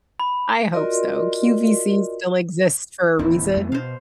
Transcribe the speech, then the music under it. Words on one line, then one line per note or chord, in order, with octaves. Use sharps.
I hope so. QVC still exists for a reason.
B5
F4 F#4 A#4 D5 D#5 C6
D1 D#2 C4 E4
F2 A3 B3
B2 C5 F5